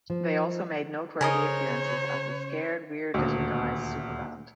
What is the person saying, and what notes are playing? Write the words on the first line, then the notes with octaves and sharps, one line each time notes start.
They also made noteworthy appearances as The Scared Weird Little Guys Superband.
F3
C#3 G#4 A#4 C5 C#5 D#5
D#1 D2